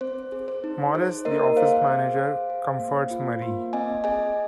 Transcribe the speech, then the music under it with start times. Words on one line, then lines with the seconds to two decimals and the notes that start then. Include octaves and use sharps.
Morris, the office manager, comforts Marie.
0.01 C4 C5
0.32 G#4
0.48 C5
0.64 D#4
0.94 G#4 C5
1.25 A#3 A#4 D#5
1.57 G#4 C5 F5
1.87 G#4
2.18 G#4
2.50 G#4
2.80 A#3
3.11 F4
3.42 A#3
3.73 C4 D#5 G#5
4.04 G#4 D#5 G#5